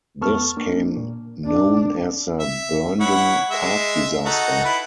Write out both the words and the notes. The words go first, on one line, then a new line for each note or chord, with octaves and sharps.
This came known as the Burnden Park disaster.
F2 B3 A4 A5 C#6 F6
A#3 D4
A#2
D4
E5
E4 C#5 F#5
G#3 E5
D#4 F#4 A4
E4 B4